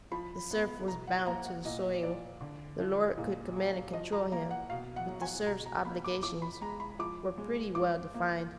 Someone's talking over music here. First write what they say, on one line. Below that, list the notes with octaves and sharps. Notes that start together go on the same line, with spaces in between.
The serf was bound to the soil; the lord could command and control him; but the serf's obligations were pretty well defined.
F3 B5
B3
B2 A#5
F#5
A#3 A#5
F#5
A#2 D#5
F3 D5
D3
F3
A#2
F#3
F3 D#5
A#5
A#3 A#5
F#5
B2 F5
F#5
F#3
G#5
B2 A#5
A#5
A#3 B5
D6
F3 D6
B5
G#3 A#5
B5
F3 D6
G#3
F3 D6
A#3